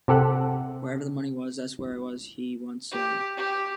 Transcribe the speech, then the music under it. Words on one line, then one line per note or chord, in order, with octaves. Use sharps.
"Wherever the money was, that's where I was," he once said.
C3 G4 A4 F#5
G4
G4